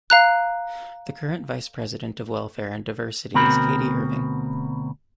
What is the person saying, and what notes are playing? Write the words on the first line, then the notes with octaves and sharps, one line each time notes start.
The current Vice President of Welfare and Diversity is Katie Irving.
F5 A#5 F#6
D2 B2 C4 A#4 B5